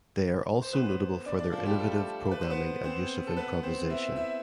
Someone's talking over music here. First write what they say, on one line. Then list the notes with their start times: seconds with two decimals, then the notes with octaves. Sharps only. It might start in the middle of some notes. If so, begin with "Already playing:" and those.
They are also notable for their innovative programming and use of improvisation.
0.62 C5
0.73 B3 B4
1.26 D4 D5
1.39 D4 D5
1.52 F3 F4
1.65 G3 G4
1.79 A3 A4
2.31 B4
2.41 C5
2.50 B3 B4
2.84 C4 C5
3.27 A4
3.36 B3 B4
3.63 C4 C5
3.90 E4 E5
4.16 E4 E5